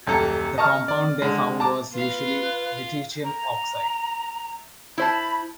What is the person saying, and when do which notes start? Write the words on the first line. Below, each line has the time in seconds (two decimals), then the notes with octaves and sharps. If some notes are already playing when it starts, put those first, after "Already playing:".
The compound they found was usually lutetium oxide.
0.07 D#1 F#2 G4 A4 A#5
0.58 D#5 A5 A#5 C#6 F6
0.88 D5
1.22 D3 G#3
1.60 A5 A#5 D6
1.94 F4 B4 F5
3.24 A#5
4.98 E4 C5 A5 B5